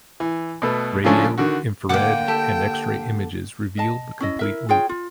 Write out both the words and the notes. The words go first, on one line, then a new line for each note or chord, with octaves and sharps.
Radio, infrared, and X-ray images reveal the complete loop.
E3
B2 A3 B3
C#3 F3 G#3 A3 C#4 D4
D3 D#3 F#4
D3 A#3 F#5 G5 D6 F#6
G4 A4
D#5 A5
C#4 E4 D#5
E4 A#4 E5
F4 G#4 C#5 G5
F4